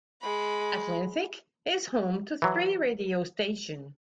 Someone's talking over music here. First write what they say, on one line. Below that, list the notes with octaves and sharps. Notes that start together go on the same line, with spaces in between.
Atlantic is home to three radio stations.
G#3 B5
E3 F#3